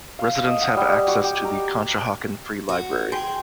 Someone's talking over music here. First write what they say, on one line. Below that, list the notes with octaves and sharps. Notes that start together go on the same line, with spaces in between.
Residents have access to the Conshohocken Free Library.
F5
D#5
F#5
G3
F#4
G4
A#5
F#4
G#4 G5 C6